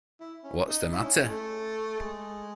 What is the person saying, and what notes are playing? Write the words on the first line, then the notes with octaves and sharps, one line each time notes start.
What’s the matter?
E4
C#4
D#4
E4
C#4
G#3
A3
G#3